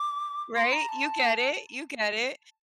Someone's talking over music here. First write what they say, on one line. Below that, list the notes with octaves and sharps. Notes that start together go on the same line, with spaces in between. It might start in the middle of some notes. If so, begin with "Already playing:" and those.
Right? You get it, you get it.
Already playing: D6
C6
A#5
A5